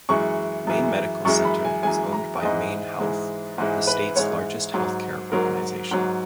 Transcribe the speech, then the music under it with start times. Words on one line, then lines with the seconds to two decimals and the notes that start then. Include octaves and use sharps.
Maine Medical Center is owned by MaineHealth, the state's largest healthcare organization.
0.09 F#2 E3 G#3 C#6
0.67 F#2 E3 G#3
1.25 F#2 E3 G#3 C#6
1.45 B5
1.65 G#5
1.83 F#2 E3 G#3 G#5
2.13 A#5
2.41 G#2 E3 G#3 D#5
3.00 G#2 E3 G#3
3.58 G#2 E3 G#3 D#5
3.87 B4
4.16 G#2 E3 G#3 C#5
4.74 G#2 F#3
5.32 G#2 F#3 A#4
5.91 G#2 F#3